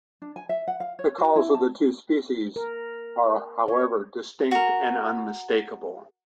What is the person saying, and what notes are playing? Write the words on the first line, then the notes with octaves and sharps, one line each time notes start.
The calls of the two species are however distinct and unmistakable.
D4
G#5
E5
F#5
F5
C#5
F#4
E4
A5
A#4
C#5
F#4 A#4